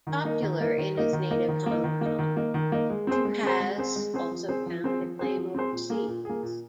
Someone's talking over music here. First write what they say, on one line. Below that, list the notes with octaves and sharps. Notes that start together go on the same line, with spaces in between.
Popular in his native Hong Kong, To has also found acclaim overseas.
D#3
A#3 D#4 A#4
D#3
A#3 D#4 A#4
D#3
A#3 D#4 A#4
D#3
A#3 D#4 A#4
D#3
A#3 D#4
D#3
A#3 D#4
D#3
A#3 D#4
D#3
A#3 D#4
G#3
C4 G#4 C5
G#3
C4 G#4 C5
G#3
C4 G#4 C5
G#3
C4 G#4 C5
F3
C4 G#4 C5
F3
C4 G#4 C5
F3
C4 G#4 C5
F3
C4 G#4 C5
A#2
A#3 G#4
A#2
A#3 G#4
A#2